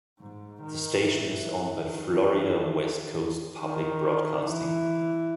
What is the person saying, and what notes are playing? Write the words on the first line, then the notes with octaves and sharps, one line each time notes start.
The station is owned by Florida West Coast Public Broadcasting.
G#2
D#3
E3
D#3
E3
D#3
E3